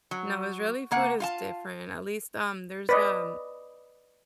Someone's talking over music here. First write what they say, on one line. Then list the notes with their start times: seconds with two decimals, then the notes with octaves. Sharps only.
No, Israeli food is different, at least, um there's, um
0.11 F#3
0.91 C#3 A#3 F#5
1.20 F4 F5 A5
2.89 B4 D5 D#5